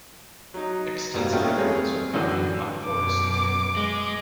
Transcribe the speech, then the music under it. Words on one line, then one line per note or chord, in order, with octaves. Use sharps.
Extensive areas are covered in pine forest.
F#3 D#4
G#2 B2 G3 A#3
A3 C#4 F4 A#4 D#5 G5
G3 A3 C4 F4 G#4 C#5
F#2 A2 D3 E3 D4 F#4
F#2 B2 D6
G#3